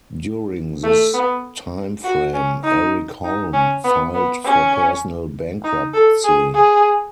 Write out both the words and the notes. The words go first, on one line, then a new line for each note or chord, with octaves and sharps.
During this time frame, Eric Holm filed for personal bankruptcy.
A3
B3
F#4
C#4
D#4
D#4
C#4
B3
B3
C#4
D#4
A4
G#4
G#4